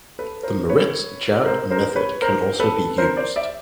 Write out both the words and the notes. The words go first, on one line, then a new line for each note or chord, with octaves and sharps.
The Maritz-Jarrett method can also be used.
A4 B4
A#4 C5
B4 C#5
A#4 C5
A#4 C5
B4 C#5
A#4 C5
A4 B4
A#4 C5
C5 D5
D5 E5